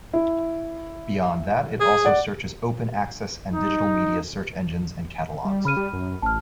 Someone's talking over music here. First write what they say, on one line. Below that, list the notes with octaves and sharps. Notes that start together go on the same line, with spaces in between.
Beyond that it also searches open access and digital media search engines and catalogs.
E4
G#4
D5 F#5
D#4
G3
C#3 B5 F6 D#7
G3
F#2
A1 A5 F6